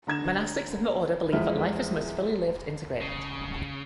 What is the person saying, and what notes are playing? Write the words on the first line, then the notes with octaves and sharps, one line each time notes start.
Monastics in the Order believe that life is most fully lived integrated.
D3 A#5 G#6 E7
E2 F3 G#3 E5 F6
C#3